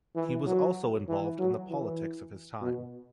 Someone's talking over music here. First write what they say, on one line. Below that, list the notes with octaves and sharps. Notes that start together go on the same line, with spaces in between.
He was also involved in the politics of his time.
E3
F#3
E3
F#3
E3
B2